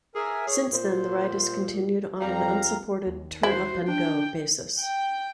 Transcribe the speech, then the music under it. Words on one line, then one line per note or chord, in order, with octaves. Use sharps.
Since then the ride has continued on an unsupported 'turn up and go' basis.
G#4 A#4 E5 G#5
G#4 C#5
A#2 C5
F2 G3 F5 A#5
D#2
E4 F#4 C5
D4 G5
G5